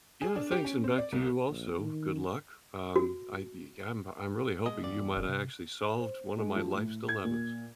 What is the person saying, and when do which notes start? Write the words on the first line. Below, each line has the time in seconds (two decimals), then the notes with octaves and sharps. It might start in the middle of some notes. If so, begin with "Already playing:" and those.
Yeah, thanks, and back to you also, good luck, um, I ye I'm I'm really hoping you might o' actually solved one of my life's dilemmas.
0.22 G#4
0.36 D4
0.51 G4
0.65 C#4
0.84 C4
0.98 D5
1.12 C2
1.49 A#1
1.78 D#3
2.96 F#4
4.66 B2 G#3 D#5
4.82 E2 G2 D5
5.16 E1
5.28 C3
5.99 C5
6.38 G#3
6.56 F3
6.73 A2
7.08 G#6
7.25 A#2